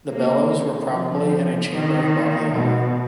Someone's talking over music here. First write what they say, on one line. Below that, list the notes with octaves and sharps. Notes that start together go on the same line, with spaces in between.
The bellows were probably in a chamber above the aisle.
A#3
F3
D#3
B2